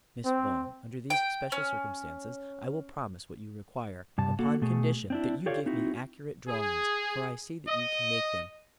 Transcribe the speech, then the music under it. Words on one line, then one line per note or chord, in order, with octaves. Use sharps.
"Miss Vaughan, under these special circumstances, I will promise what you require; upon condition that you give me accurate drawings, for I see that you can make them."
C4
G5
C#4
G2 C3 A5
A#3 F#4 A4
B2 A3 G#4
C4 D4 E4
F4 G4 A4 C#5 D5 F5
C4 D#4 E4 F#4
G#4
D#5